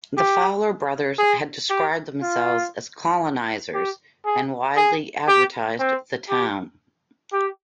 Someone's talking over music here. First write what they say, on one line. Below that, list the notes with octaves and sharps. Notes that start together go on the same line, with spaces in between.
The Fowler brothers had described themselves as "colonizers" and widely advertised the town.
G4
G#4
G4
F4
G4
G#4
G#4
G4
C4
G4
G4